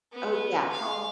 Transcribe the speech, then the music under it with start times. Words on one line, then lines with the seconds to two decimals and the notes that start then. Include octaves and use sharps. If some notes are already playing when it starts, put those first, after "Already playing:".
Oh yeah, oh
0.12 B3
0.73 F5